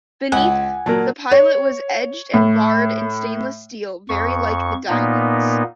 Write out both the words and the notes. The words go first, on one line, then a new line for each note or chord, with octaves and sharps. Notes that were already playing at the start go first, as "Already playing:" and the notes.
Beneath, the pilot was edged and barred in stainless steel, very like the "Diamond's".
C#2 F#5 G#5
A#2 F#3 A#4 A5
C#5
A2
F2 C#6
A#2 A#3 B3 D#4